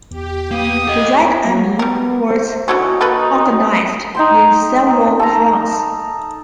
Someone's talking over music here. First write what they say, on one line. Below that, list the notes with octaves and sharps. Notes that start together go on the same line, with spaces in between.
The Red Army was organised in several fronts.
E2 G4
A#3 B3 D#6
A4 D#5
F#3
G3 B3 A#4
C5
D3 E3 C#4 D#4 F#4
A#3 A4 B4
D#4 G5 C6
A4 A#5